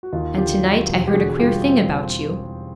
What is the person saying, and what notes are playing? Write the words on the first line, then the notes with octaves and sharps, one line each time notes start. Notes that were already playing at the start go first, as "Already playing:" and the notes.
'And to-night I heard a queer thing about you.'
F#4
D#2 D#4 F4
D3 F4 G4
F#3
E1
G4
D3 F#4 G#4
G3 F4 G4
C4